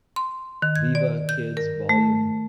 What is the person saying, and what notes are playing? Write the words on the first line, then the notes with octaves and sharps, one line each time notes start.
Viva Kids Vol.
C6
D#3
G#6
D5
G6
A#4
A3